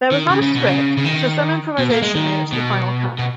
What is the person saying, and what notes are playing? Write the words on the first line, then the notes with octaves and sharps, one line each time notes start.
There was not a script, so some improvisation made it to the final cut.
D#3
C#3
C#3
B2
C#3
C#3
D#3
B2
A#3
G#3
D#3
B2
B2